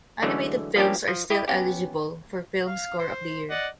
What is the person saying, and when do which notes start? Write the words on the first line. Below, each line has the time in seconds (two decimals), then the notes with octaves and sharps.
Animated films are still eligible for Film Score of the Year.
0.22 D3 E3 F#3 G#3 A3
0.76 F3 G3 A#3 C#4 D4 G4
1.08 F3
1.30 E4 G4 D#5
1.48 B3 C#4 G4
2.67 F5
2.98 C5 C6
3.50 D5 D#5 F#5